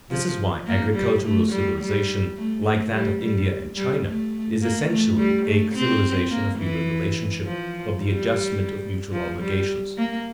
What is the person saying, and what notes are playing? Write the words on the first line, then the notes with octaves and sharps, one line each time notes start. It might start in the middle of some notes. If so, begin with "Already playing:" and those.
This is why agricultural civilisation, like that of India and China, is essentially a civilisation of human relationship, of the adjustment of mutual obligations.
F3
A#3
G3
A3
G3
G3
A3
A3
G3
G3
G3
A3
A#3
A3
G3
A3
C4
A#3
E3
F3
G3
F3
G3
A#3